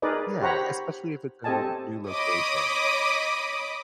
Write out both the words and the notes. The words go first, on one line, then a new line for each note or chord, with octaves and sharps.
Yeah, especially if it's in a l new location,
D#4 G#4 A#4 B4 D5 D#5
G4 C5 C#5 F#5 A#5 B5
C4 G4 A4 D#5 G#5 A5
C#5 D#5 B5 D6 D#6